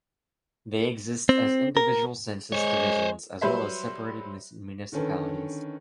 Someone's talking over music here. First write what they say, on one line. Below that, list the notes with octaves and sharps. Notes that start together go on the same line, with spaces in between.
They exist as individual census divisions, as well as separated municipalities.
C4
A#4
G#3 C5 C#5
F#3 G3 B4 C5 E5
D3 D#3 C#4 A4 B4